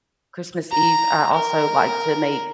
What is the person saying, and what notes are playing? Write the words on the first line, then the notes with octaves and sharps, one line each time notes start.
Christmas Eve, I also like to make,
A#5
A#4